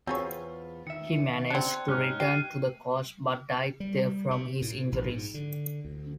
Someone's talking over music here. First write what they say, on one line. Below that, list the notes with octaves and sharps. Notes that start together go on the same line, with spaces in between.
He managed to return to the coast, but died there from his injuries.
E2 C4 F4 G#4 B4 C#5
D#3 E5 C#7
C4 D4 F#6 G#6
G#2 C#4 D#4 F6 F#6
G4 C7 D#7
G3
C3
A2
A#1
G#2
D3
D2